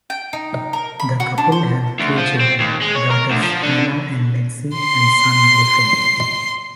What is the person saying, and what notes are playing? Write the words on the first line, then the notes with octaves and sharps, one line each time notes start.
The couple have three children; daughters Hannah and Lexie and son Griffin.
G5
D#4
A#4
B5
F#4
D4
C5
D2
F3
C4
D#2
G#3
C#5
A#4
D2
F3
D3
C6 C7